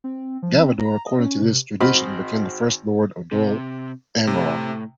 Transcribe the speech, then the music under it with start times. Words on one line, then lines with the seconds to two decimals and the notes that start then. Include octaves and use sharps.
Galador, according to this tradition, became the first Lord of Dol Amroth.
0.04 C4
0.43 F3
0.59 C4
0.79 A#5
1.06 D#5
1.19 C#4
1.42 C3
1.80 G#1 C4 F#4 D#5 B5 F6
3.31 C3
4.27 A2 C3